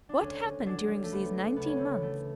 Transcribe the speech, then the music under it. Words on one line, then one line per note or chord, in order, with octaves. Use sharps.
What happened during these nineteen months?
D4
D2 C#4
D2
F#3 D4
F#3
A3
D2 B3
D2
C#3 B3
C#4
D2 B3
B3
E3 A3